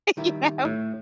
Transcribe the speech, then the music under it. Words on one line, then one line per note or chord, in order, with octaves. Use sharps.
You know?
D#3 G3 E4
A2